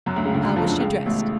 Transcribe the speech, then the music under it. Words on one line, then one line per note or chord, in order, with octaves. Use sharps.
"How was she dressed?"
F#2 F#3
D2 D3
C#2 C#3
D2 D3
F#2 F#3
F2 F3
D2 D3
C#2 C#3
A1 A2